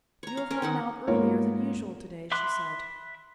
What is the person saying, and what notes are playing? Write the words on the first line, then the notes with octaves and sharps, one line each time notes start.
"You have gone out earlier than usual to-day," she said.
C#5 A#5
F5
C#4 A#4
D#3 D#4 F#5
G#2 A#3 B3 F4 A#4 C#5
E5 B5 C6 D6 F#6